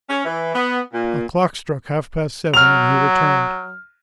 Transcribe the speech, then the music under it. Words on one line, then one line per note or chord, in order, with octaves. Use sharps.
A clock struck half-past seven, and he returned.
C#4
E3
B3
A#2
F#3 F6 F7